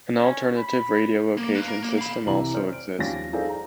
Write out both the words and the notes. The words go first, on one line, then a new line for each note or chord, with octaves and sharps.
An alternative radio location system also exists.
C#4
B5
A#3
B4 F5
A#4
A#3
F5 B5
C2 C3 E3 E4 A#5 F#7
C5 D5 F6
D7
D#2 F3 G3 C#4 C#5 A#6
D#4 F4 G#4 A4 C5 D5
A#5